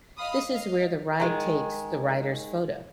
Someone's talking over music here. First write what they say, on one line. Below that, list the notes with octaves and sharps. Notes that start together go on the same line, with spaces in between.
This is where the ride takes the rider's photo.
D#5 F5 B5 D#6
D#5 F5
D#3 G#3